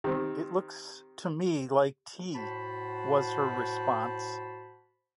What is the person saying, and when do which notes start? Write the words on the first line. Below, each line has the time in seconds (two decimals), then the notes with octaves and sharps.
"It looks to me like tea," was her response.
0.04 D#3 C4 G4
2.35 A2 F#4 C5 A5 B5